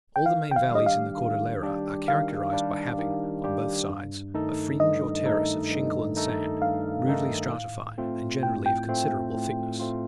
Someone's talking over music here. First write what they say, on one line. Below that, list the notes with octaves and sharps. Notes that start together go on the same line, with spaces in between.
All the main valleys in the Cordillera are characterized by having, on both sides, a fringe or terrace of shingle and sand, rudely stratified, and generally of considerable thickness.
G5
D#3 F5
G5
F5
G3 D4 G4 D#5
F5
D#3
G3 D4 G4
D#3 F5
G3 D4 G4
D#3
G3 D4 G4
G2
D#3 A3 D#4 A4
G2 D#5
D#3 A3 D#4 A4
G2
D#3 A3 D#4 A4
G2 F5
D#3 A3 D#4 A4
A2
A3 C4 F4
A2 G5
G5
A3 C4 F4
A2
A3 C4 F4